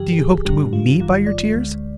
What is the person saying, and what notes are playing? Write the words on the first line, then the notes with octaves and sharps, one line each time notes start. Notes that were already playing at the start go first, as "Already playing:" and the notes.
Do you hope to move me by your tears?
Already playing: G2 D3 F3 G4
G4
G#4
G2 D3 G3 D4 G4
F4
G#1 G2 D#3 G3 F4
D5
D2 D3 G#3